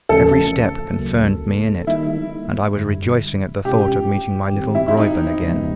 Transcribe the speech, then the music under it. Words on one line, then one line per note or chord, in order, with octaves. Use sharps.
Every step confirmed me in it, and I was rejoicing at the thought of meeting my little Graeuben again.
D#2 C#3 F3 A3 C#4 A4
D2 C#3 F#3 A#3
D#3 G3 A#3 D#4 E4
F#2 D3 G3
B2 G#3 C#4 F4 G4
G#2 D#3 G3 C4
E4
E4
D#4
E2 C#3 F3 G#3 B3